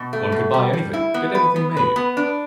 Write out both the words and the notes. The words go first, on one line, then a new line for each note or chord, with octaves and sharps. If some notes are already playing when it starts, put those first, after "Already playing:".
One could buy anything; get anything made.
Already playing: B2
A3
B2
G3
G3
E4
B3
B4
B3
B4
B3
D4